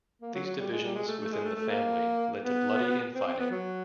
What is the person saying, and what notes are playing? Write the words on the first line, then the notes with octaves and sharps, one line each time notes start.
These divisions within the family led to bloody infighting.
A#3
F#3
F#3
G3
G#3
G3
G#3
A3
A3
G#3
A3
A3
A#3
B3
C4
C4
B3
F#3